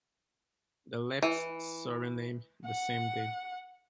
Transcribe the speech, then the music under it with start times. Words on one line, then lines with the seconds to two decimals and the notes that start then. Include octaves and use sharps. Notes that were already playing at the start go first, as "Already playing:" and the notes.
They left Suriname the same day.
1.22 E3
2.66 F#5